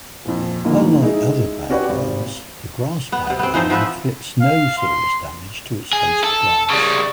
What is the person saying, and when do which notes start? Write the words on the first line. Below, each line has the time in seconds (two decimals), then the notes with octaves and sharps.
Unlike other bagworms, the grass bagworm inflicts no serious damage to its host grass.
0.25 D#1 F2
0.65 D#2 A2 D3 D#3 F3 A#3
1.02 G#3 D#4 E4
1.70 C#4 F#4 G4 B4 D5 F#5
1.89 G#1 C3
3.12 B3
3.27 C3 B3
3.39 B3 C4
3.54 E3 F3 D#4 C5
3.70 F3 B3 B4 E5
4.41 F5
4.78 C6
5.93 G#4
6.24 A4
6.70 C#3 G3